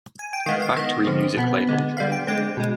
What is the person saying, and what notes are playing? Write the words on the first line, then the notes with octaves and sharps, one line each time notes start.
Factory music label.
G#5
G5
D#3 G#3 B3 F5
F5
D#3 B3 D#5
D3 F3 C4
B2 B3
D3 G#3 B3
D3 G3 B3 F5
G5
D3 G#3 C4 G5
B2 G#3